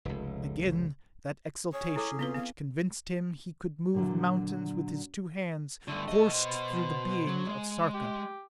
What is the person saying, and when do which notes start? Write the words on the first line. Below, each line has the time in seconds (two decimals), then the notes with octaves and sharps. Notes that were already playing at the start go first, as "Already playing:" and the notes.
Again that exaltation, which convinced him he could move mountains with his two hands, coursed through the being of Sarka.
0.05 F1 C#2
1.73 C#4 G#4 C#5
1.96 E4 A4 D6
2.19 B3 C4 F4 B4
2.35 B3 F5
3.94 A#2 D3 F#3
5.88 G2 D3 A3
6.08 B2 D#5
6.33 C5
7.27 F#3
7.48 G#3
7.94 G4